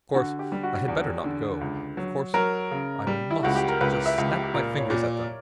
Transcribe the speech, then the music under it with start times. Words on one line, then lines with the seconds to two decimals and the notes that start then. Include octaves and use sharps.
Of course I had better not go; of course, I must just snap my fingers at them.
0.14 D3 F#4
0.39 G4
0.52 G3
0.63 F#4
0.88 E2
1.24 D3
1.61 C#2
1.97 F#3
2.34 F#3 A#4
2.71 C#3
3.07 G3
3.31 E4
3.43 C#2 F#4
3.56 G4
3.69 A#4
3.81 C#2 B4
4.06 E5
4.18 C#2
4.29 G4
4.44 G4
4.54 A#2 A#4
4.79 C#5
4.90 A#2
5.03 D5